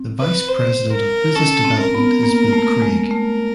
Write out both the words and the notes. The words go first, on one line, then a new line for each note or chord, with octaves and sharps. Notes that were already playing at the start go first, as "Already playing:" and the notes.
The vice president of business development is Bill Craig.
Already playing: C4
B4
C5
A#4
C#4 A4
C4
A#4
B3
A#3
A3
G#3
A3 A#4